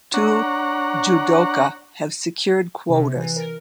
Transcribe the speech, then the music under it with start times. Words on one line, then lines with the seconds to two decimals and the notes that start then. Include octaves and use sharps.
Two judoka have secured quotas.
0.14 D4 C#5 F#5 A#5
2.89 C3
3.16 E3
3.36 A#4